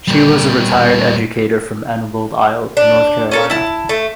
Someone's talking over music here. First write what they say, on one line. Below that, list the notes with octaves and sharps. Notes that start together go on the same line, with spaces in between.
She was a retired educator from Emerald Isle, North Carolina.
A#2 G3
D4
C#4 A4 A#4
E4 A5
A3